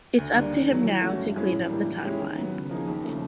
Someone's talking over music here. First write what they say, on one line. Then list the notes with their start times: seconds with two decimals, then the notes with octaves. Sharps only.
Its up to him now to clean up the timeline.
0.18 D2
0.34 D3 G3 A#3 D4
0.51 D#3
0.68 F#3 A3
0.85 E3
1.01 A3 C#4 F#4
1.19 G2
1.36 E3 G#3 C#4 E4
1.52 A2
1.69 E3 G3 A#3 D4
1.86 E3
2.03 G#3 C#4 E4 G4
2.19 D#3
2.37 F#3 B3
2.54 C#3
2.69 F3 A#3 D#4 G#4
2.87 D#2
3.03 C#3 F3 A3